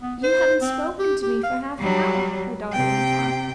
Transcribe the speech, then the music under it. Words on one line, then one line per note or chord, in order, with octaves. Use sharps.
"You haven't spoken to me for half an hour," her daughter went on.
B3
C5
C4
G4
G4
F5
F#3 G3
C3 G5